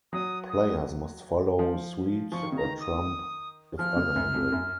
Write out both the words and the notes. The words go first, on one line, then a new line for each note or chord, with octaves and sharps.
Players must follow suit or trump if unable.
F#3 D#6
D#6
F3
F3 C#6
D#3
C#3 A#5
D#3
D#6
F3 F6
C#3
F#2
F2
F#2